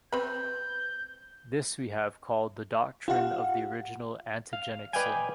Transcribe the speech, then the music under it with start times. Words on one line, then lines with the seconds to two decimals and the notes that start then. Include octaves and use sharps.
This we have called the Doctrine of the Original Antigenic Sin.
0.13 C4 B4 B5 G6
3.08 F4 G4 F5 F#5
4.53 F5
4.93 B4 D5 D#5 F5 G5 G#5